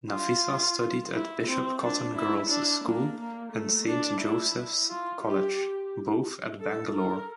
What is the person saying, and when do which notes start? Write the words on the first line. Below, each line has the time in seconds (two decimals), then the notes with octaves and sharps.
Nafisa studied at Bishop Cotton Girls' School and Saint Joseph's College, both at Bangalore.
0.10 F4
1.13 E4
1.48 C4
1.82 D4
2.16 E4
2.50 D4
2.85 A#3
3.18 A#3
3.52 A3
3.87 D4
4.21 E4
4.89 F4
5.24 G4
6.60 A4
6.94 A#4